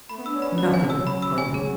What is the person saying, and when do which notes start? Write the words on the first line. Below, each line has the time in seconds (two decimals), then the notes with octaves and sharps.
"Nothing, Carton."
0.09 A3 B5
0.18 B3
0.26 D4 E6
0.33 C#4
0.42 B3 B5
0.58 B3 C#5
0.74 C#4 G#5
0.90 F#3 E6
1.07 B5
1.22 E6
1.38 G#5
1.54 G#4